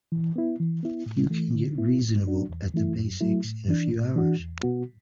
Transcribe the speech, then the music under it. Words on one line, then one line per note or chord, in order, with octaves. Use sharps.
You can get reasonable at the basics in a few hours.
E3
B3 E4
E3
B3 E4
A2
E3 A3
D3
B3 E4
A2
F#3 D4 F#4
E2
E3 A3 E4
F#2
F#3 A3 E4
A2
E3 D4
A2
E3 D4 F#4
E2
B2 B3 F#4